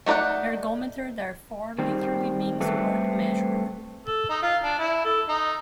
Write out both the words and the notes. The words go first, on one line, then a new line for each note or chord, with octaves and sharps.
"Ergometer", therefore, literally means "work measurer".
A3 D#4 B4 D5 F#5
D#3 G3 C4
G3 A3 C4 A4 B4
A4
D#4
F4
D4
E4
A4
D#4